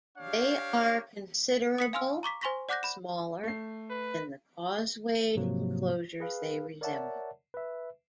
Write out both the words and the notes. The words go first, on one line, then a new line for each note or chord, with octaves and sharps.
They are considerable smaller than the causewayed enclosures they resemble.
D4 G4 C#5 F5
D#6 B6 C#7
F5 G#5 C6 E6 F6
A#5 C#6 D6 B6
C5 G#5 C6 C#6 A#6 B6
D5 F#5 D6 F#6 G6 A#6
B5 E7
A3 C7
B4
G#2 C3 F3 F#3 A#3
G#4 B4 F5
A#4 C#5 D5 E5 F#5 A5
B4 E5